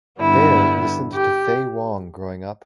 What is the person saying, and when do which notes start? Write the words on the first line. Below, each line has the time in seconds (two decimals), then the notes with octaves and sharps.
Bear listened to Faye Wong growing up.
0.20 G2 D3 G3 B3 E4
1.14 G4